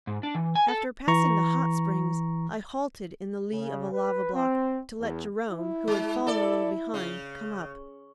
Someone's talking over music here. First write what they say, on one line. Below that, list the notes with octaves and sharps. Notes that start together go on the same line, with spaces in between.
After passing the "Hot Springs" I halted in the lee of a lava-block to let Jerome, who had fallen a little behind, come up.
G#2
D4
E3
G#5
A4
E3 A#5 C#6
C#3
B4
C4
E2
E4
G#3
A4 D5
C#3